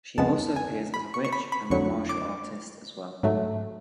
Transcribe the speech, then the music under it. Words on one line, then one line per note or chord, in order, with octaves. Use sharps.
She also appears as a witch and martial artist as well.
F2 C#3 G#3 B3 A5
G#5
B5
C#6
C#6
B5
B5
F2 D3 F#3 C#6
D6
G#2 F#3 A3